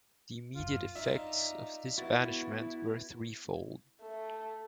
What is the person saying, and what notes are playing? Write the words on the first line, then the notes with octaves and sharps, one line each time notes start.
The immediate effects of this banishment were threefold.
A1 F#2 F4
D4 D#4 F4 E5
B3 E4 F#4 A6
A3